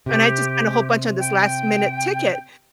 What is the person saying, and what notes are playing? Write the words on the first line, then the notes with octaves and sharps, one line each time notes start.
And I just spent a whole bunch on this last minute ticket.
C3 G4
G5